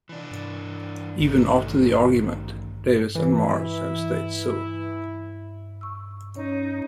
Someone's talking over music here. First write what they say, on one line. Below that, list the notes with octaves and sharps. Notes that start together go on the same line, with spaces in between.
Even after the argument Davis and Marz have stayed civil.
E3 D4
A1 D#3 A3
E3 E4
C#6 E6
C#4 D#4 C#5